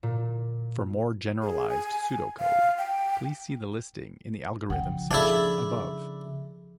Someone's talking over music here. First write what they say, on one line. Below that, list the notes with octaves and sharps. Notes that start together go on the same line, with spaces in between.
For more generalized pseudocode, please see the listing in the Algorithm section above.
A#2
G#4
G#5
F5
G5
C#3 F3 F#5 G5
C#3 F3 D4 E4 G#4 A4